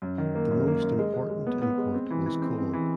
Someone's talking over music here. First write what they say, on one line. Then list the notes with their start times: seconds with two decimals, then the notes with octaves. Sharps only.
The most important import was coal.
0.02 F#2
0.18 D#3
0.35 A#3
0.51 F#2
0.67 A#3
0.82 F#2
0.99 G#3
1.14 G#3
1.30 G#3
1.47 B3
1.62 B3
1.78 G#3
1.94 C4
2.10 E3
2.26 E3
2.42 C4
2.58 C4
2.73 E3